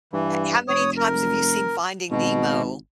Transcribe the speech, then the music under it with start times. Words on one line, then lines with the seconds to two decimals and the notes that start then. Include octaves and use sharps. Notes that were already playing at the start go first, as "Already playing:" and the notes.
He how many times have you seen Finding Nemo?
0.13 G2 E3
0.68 F1 C#5 D#6
0.97 A#4
2.10 G#1 B2